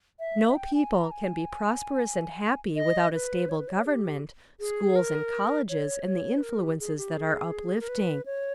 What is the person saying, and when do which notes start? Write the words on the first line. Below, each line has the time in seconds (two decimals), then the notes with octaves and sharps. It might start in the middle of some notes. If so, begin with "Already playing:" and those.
No people can be prosperous and happy without a stable government, schools and colleges and the influences that are uplifting.
0.20 E5
0.49 E5
0.56 G5
0.75 G#5
0.93 A#5
1.11 G#5
2.76 D#5
3.13 B4
3.49 C#5
3.58 B4
3.68 C#5
3.86 G4
4.60 G#4
4.96 A#4
5.69 C#5
6.05 C#5
6.38 B4
6.43 A#4
6.61 G4
6.79 G#4
6.97 G4
7.16 G#4
7.80 A#4
7.89 B4
8.26 C#5